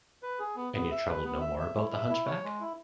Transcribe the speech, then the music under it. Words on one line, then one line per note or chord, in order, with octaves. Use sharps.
And you troubled no more about the hunchback?
B4
G#4
B3
B3
E5
B4
B3
E5
E5
E4
E5
E4
C#5
G#3
E4